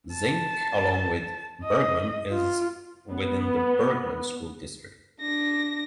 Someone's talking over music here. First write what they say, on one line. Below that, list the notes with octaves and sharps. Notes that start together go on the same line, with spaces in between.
Zinc, along with Bergman, is within the Bergman School District.
A5
D#5
F4
B3
D4 A#6